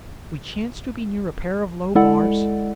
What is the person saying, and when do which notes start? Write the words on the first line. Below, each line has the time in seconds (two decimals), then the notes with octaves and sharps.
We chanced to be near a pair of low bars.
1.95 G#3 E4 A4 D5 F#5